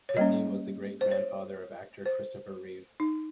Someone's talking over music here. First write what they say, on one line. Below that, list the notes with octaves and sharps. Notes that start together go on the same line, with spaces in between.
Pitney was the great-grandfather of actor Christopher Reeve.
C#5
G3 A#3 C#4 D#5
C5
C#5
C5
D#4